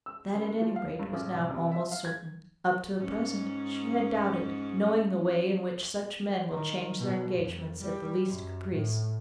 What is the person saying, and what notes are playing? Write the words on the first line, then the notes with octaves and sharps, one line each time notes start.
That at any rate was now almost certain. Up to the present she had doubted, knowing the way in which such men will change their engagements at the least caprice.
E6
F#1
G#3
F3
F5
G2
A1
C2
C3
E5
F5
G#6
G#2 C#4
D#3
B2
F2
G3
F#2
A2